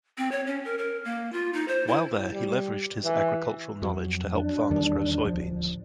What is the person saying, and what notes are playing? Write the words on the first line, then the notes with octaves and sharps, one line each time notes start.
While there he leveraged his agricultural knowledge to help farmers grow soybeans.
C4
C#5
C#4
A#4
A#4
A#3
F4
D#4
C5
E4
G3
E3
F2 F#3
D4
E2 D#3 G3
D1 F3